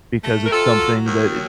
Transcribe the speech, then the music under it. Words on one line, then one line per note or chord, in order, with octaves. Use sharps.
because it's something that
A3
A#4
C3 F4 A4
F#3
D#2
F#3